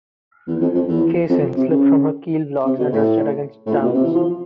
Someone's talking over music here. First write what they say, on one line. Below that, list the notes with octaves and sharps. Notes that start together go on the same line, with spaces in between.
"Cassin" slipped from her keel blocks and rested against "Downes".
E2
F2
F2
E2
F2
C3
C#3
C3
B2
A2
A2
A#2
B2
C3
E3
F3